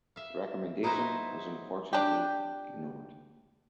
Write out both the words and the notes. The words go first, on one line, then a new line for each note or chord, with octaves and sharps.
The recommendation was unfortunately ignored.
E5 F5
F#3 D#4 E4 B4 C5
D4 G4